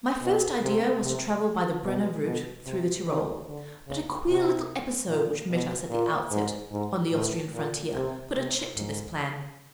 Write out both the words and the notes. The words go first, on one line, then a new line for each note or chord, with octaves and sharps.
My first idea was to travel by the Brenner route through the Tyrol; but a queer little episode which met us at the outset on the Austrian frontier put a check to this plan.
B2
C3
C3
B2
B2
C3
D#3
D3
C#3
C3
A#2
B2
A#2
G#2
G#2
A2
A#2
C3
C3
G#2